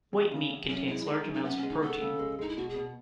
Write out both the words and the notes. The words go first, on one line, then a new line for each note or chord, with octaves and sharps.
White meat contains large amounts of protein.
E2
C#3
E2
F#2 C#4
G#3 E4
G#3 D#4
F#2
D#4
B3 C#4
C#4
G#3
D#4
B3 A4
C#3
G#3
G#3 D#4
E4
B2 F#4
G#4
B2